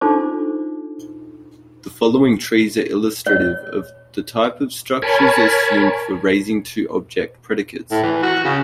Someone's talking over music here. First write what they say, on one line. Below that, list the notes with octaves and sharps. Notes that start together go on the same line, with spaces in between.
The following trees are illustrative of the type of structures assumed for raising-to-object predicates.
D4 D#4 F4 A4 C5 D6
C#5
A#4 C#5 G#5 A5 B5
A2
E3
F#4
C#3